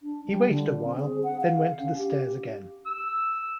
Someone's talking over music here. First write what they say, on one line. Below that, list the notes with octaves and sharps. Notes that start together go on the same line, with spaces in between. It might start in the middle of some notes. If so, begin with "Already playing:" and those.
He waited a while, then went to the stairs again.
D4
G3
D3
C4
G#4
F#5
F5
C#4
G4
E6